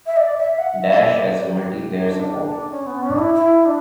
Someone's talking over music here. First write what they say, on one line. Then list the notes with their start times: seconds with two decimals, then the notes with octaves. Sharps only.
"Dash" has multiplayer support.
0.06 E5
0.17 D5
0.38 E5
0.59 F#5
0.80 E5
1.12 D5
1.44 G4
2.07 D4
2.71 C#4
2.86 B3
3.02 C#4
3.10 D4
3.18 E4
3.34 E4
3.66 D4